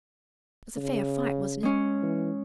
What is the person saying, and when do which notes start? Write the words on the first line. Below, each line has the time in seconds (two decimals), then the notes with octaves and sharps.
It was a fair fight, wasn't it?'
0.77 C#3
1.63 G#3 C#4
2.03 E3